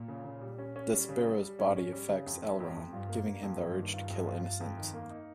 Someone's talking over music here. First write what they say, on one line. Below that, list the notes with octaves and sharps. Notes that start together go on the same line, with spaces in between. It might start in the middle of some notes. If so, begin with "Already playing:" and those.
Despero's body affects L-Ron, giving him the urge to kill innocents.
Already playing: A#2
C#3
C#3
G3
C#4
C#4
G3
C#3
G3
G3
G#2 C#4
C#4
G3
C#3
F2
F2
F2
F2
G2 F4
A#3
A#3
F2
G2 A#3
D#3
F4
F2
F4
F4
F2
D#3
A#3
D#4